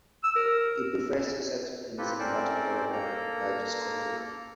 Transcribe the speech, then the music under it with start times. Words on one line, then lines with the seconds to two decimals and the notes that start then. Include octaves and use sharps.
He prefers to settle things in battle, rather than by discussion.
0.24 E6
0.36 A#4
1.98 A#3 C4 F4 G4 A4 B4
2.19 C4 C#4 A4 A#4 C5 D5
2.93 A#3 A4 A#5